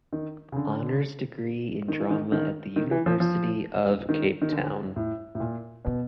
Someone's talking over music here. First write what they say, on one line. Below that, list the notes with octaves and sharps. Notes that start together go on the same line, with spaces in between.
Honours degree in Drama at the University of Cape Town.
D#3
C#3
D3
D#3
E3
D#3
D#3
D#3
E3
F3
F3
D#3
D#3
D3
A2
A2
A#2
B2